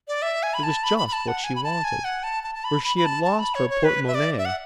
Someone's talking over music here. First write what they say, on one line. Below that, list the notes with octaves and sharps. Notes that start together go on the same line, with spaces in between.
It was just what she wanted, for she had lost her porte-monnaie.
D5
E5
G#5
B5
A5
B5
B5
B5
A5
F#5
G#5
B5
A5
G#5
F#5
A5
A5
A5
B5
B5
B5
A5
A5
B5
C#5
C#5
B4
E5
D5
E5
F#5